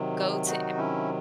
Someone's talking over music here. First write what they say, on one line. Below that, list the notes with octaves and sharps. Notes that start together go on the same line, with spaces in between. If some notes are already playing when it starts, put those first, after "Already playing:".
go to Em
Already playing: C3 D#3 F#3
D#4 F#4
C#4 E4